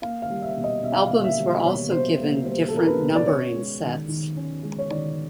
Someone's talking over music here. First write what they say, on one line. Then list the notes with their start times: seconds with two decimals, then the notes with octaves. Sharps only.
Albums were also given different numbering sets.
0.02 A#3 F5
0.22 F5
0.30 G3
0.42 E5
0.57 B2
0.64 D#5
0.83 B2 E5
0.92 F5
1.02 E5
1.11 A#3
1.24 E5
1.38 G3
1.65 B2 C#5
1.91 B2 C5
2.19 A#3
2.46 G3 C5
2.68 A4
2.74 B2 A#4
2.87 B4
3.00 B2
3.15 D5
3.27 C#4 C#5
3.54 G#3
3.81 D#3
4.08 D#3
4.36 C#4
4.63 G#3
4.79 C#5
4.91 D#3 D5